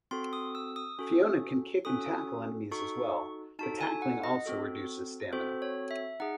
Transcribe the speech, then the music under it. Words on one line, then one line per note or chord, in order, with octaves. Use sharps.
Fiona can kick and tackle enemies as well, but tackling also reduces stamina.
C4 F#4 A4 C6
D#6
E6
D#6
C#4 F#4 A4
C#4 F#4 A4 D#6
D#4 F#4 A4 C#6
D#4 F#4 A4 A5
G#5
F#5
D#5
C4 F#4 A4
C4 F#4 A4 C5
C#5
E5
D#4 G#4 F#5